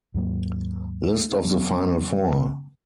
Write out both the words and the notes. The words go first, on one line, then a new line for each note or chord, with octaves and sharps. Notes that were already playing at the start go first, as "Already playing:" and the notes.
List of the final four.
D#2 G#2 F#3 A#3
F#3 B3